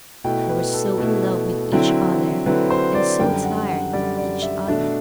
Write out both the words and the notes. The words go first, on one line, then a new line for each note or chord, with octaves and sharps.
They were so in love with each other--and so tired of each other.
B2 A3 E4 G5
B4
A4
B2 A3 E4
D3 F#3 C4 E4
D3 F#3 C4 E4 B4
C5
D5
F#2 D3 G3 G5
F#5
F#5
F#2 D3 G3 D5
D5
E5
B2 A3 D4 E5